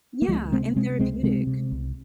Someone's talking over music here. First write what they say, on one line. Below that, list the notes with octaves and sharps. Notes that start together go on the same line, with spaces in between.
Yeah, and therapeutic.
A#3
C#2 F3 G#3
C3 G#3 C4
C3 G#3 C4
C#2 G#3 C4
C3 G#3 C4
C3
C2